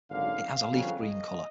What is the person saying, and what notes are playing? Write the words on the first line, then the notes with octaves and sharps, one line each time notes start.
It has a leaf green color.
G#1 F#2 D3 F5
F5
G1 F2 C#3 F#3
D#5